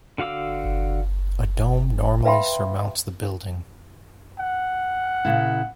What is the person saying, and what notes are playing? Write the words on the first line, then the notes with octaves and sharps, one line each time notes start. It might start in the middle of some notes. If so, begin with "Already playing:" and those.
A dome normally surmounts the building.
D3 F#4 F5 D6 E6
B4 E5 F5 G5 B5 C6
F#5
A#2 C#3 E4